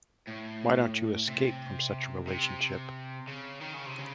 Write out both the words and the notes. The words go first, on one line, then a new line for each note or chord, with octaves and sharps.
Why don't you escape from such a relationship?
A2
C3
C3
C#3
D#3
C#3
C3
C#3